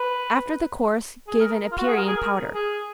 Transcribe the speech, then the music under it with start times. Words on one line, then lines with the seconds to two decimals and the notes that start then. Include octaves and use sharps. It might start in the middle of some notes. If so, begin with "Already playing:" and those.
After the course give an aperient powder.
Already playing: B4
1.28 G#4
1.40 A#4
1.72 F4
1.78 F#4
1.88 G#4
1.97 A#4
2.08 G#4
2.17 A#4
2.54 G#4